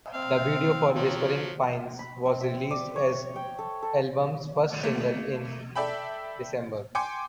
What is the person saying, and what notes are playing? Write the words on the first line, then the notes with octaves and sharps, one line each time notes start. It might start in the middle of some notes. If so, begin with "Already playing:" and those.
A video for "Whispering Pines" was released as the album's first single in December.
C4 F5
F3 F#3
B5
C4
E5
D5
C#5
G5
A4
A4
A3 A#3
A4 D5 E5 G5 B5
G5 G#5 C6 D6 C#7